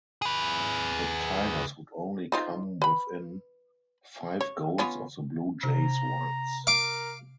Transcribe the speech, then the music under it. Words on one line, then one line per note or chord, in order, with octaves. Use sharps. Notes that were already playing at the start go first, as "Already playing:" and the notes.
The Tigers would only come within five goals of the Blue Jays once.
G#4 B4
D#4 F4 C5
B4 B5
C#5
B3 C#4 F4
C3 A#5
A#4 F5 D6